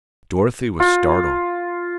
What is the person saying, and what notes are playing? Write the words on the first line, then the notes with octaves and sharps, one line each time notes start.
Dorothy was startled.
F4